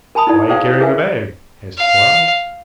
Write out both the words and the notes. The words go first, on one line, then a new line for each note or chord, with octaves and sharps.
"Why carrying a bag?" asked Quarles.
A#4 G#5 A5 B5 D#6
D#4 E4 A4 D5
G#4 A4 C5 D5 F5 G5
A4 C#5
G#4 A#4 B4 E5 G#5
F5